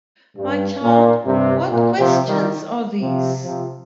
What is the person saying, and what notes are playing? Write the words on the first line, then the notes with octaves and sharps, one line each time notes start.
My child, what questions are these!
G2
A#2
G2 C3
A#2
C3 F3
D#3 G3
C3 F3
C3 F3